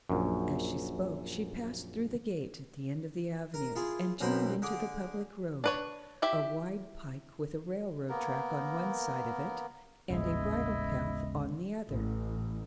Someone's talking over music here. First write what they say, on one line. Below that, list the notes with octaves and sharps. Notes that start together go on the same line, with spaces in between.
As she spoke, she passed through the gate at the end of the avenue and turned into the public road, a wide pike with a railroad track on one side of it and a bridle-path on the other.
A#1 F#2
A#4
E4 F4 G#4
B1 F#2 B2 A#4 C5 B5
D3 G#4 D6
D4 B4 C#5
E4 G4 E5
A#3 B3 A#4
D#1 A1 C#3 G#3 B3 E4 D#5
A1